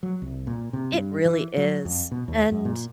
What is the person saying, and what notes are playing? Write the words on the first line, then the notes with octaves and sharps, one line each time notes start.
It really is. And,
F#3
C2
A#2
C3
G2
E3
F#3
F2
B2
D#2
F#2
A#2